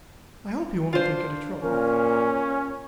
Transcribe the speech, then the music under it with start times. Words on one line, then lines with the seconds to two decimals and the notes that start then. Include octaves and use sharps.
I hope you won't think it a trouble?
0.93 D4 F4 C5
1.63 A#2 C#4 A#4